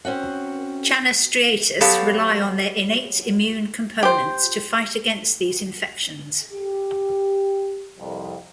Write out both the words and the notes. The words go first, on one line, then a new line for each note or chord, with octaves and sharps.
Channa striatus rely on their innate immune components to fight against these infections.
C4 C#4 F#4 F#5
F#3 B3 G4 A4 C#5 F5
G4 C5
G4
C2 F2